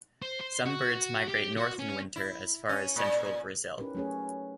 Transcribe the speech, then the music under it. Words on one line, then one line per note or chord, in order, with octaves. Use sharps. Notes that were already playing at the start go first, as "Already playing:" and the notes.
Some birds migrate north in winter as far as central Brazil.
C5
C5
F#4
G4
F#4
C#4
E4
C#4
A#2
C#4 D#4 E4 G4 A#4 B4
F#3 A3 C#4 G#4 C#5